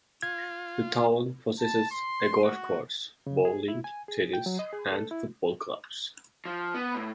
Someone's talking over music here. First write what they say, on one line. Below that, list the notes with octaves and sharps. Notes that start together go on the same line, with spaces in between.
The town possesses a golf course, bowling, tennis and football clubs.
F4 G#6
A5
C6
F#4
C#3
G#4
E4
G#5
G#4
G5
F#3
D#5
G#4
A4
E4
F3
B3
A2